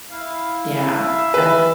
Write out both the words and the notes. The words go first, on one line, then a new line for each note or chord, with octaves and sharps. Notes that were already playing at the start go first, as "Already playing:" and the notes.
Yeah. I
E4 F5
E5
E3 B4